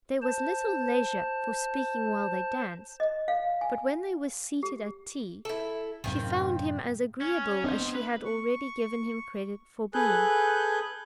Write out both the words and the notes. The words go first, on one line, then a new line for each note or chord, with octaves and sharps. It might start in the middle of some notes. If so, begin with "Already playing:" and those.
There was little leisure for speaking while they danced; but when they were seated at tea, she found him as agreeable as she had already given him credit for being.
C5 A5
D#5
F5
G#5
G4
E4 A4
F#2 A2 C3 D#3 C4 F4
C#4
C4 D4 C5 D#5
B3
B4
C#6
G#4 A4 B4 G#5 F#6 G6